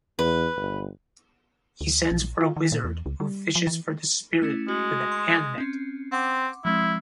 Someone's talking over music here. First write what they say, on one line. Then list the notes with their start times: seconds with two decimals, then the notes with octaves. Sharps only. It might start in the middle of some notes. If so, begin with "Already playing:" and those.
He sends for a wizard, who fishes for the spirit with a hand-net.
0.19 E2 B4
0.57 G1
1.81 D2
2.11 A#1
2.41 F4
2.56 D#3
2.72 A#2
2.84 E2
3.06 C#2
3.20 G3
3.55 F3
3.67 E3
4.42 A3 C#4 E4
4.68 G#3 F#4
5.12 C6
5.58 C4 C#4
6.12 C4 F#5 C6 D6
6.65 F3 G#3 C4 E4